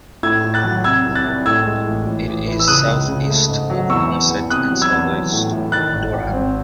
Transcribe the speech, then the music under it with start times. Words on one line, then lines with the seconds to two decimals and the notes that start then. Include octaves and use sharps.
It is southeast of Consett and southwest of Durham.
0.23 A2 E6 G#6
0.44 A2
0.54 F#6 A6
0.64 F#3
0.84 C3 E6 G#6
1.06 C2
1.15 F#6 A6
1.25 C2
1.46 A2 E6 G#6
1.66 G#3
1.87 A1
2.06 A1
2.28 A1
2.47 E3
2.60 E6
2.68 C#3 D#6 F#6
2.87 C#2
3.08 C#3
3.29 A3
3.49 G#2
3.70 F#3
3.90 E2 C#6 E6
4.10 E2
4.30 E2
4.50 C3 D#6 F#6
4.71 F#3
4.82 E6 G#6
4.91 E2
5.12 F#3
5.32 A2
5.52 A2
5.72 D#3 F#6 A6
5.93 G#1
6.13 G#1
6.34 C4